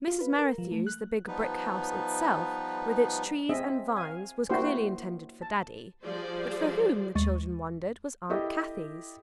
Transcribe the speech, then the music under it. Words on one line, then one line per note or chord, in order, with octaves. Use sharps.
Mrs. Merrithew's, the Big Brick House itself, with its trees and vines, was clearly intended for Daddy; but for whom, the children wondered, was Aunt Kathie's?
F4
B4
A#4
F3
A3
F#6
F3 G3 B3 D#4 B4
C4 G#4 D#5 E5
F5 G#5
A#3 D4 E4 F#4 G4 C5
A5
F3 G3 G#4 C5 D5
D#2 G#3 C#6 A6 C#7 D#7
E4 G4 A4 D#5